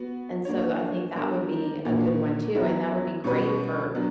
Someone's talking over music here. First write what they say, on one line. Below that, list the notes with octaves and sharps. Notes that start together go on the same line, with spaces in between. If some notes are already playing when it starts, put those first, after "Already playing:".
and so, I think that would be a good one too, and that would be great for,
Already playing: B3 F#4
A#3 D4 F#4 C#5
G3 B3 D4 G4 A#4
A#2 A#3 D4 F#4 C#5
F#3 B3 E4
B2 G3 C#4 F#4 B4
F#3 B3 D4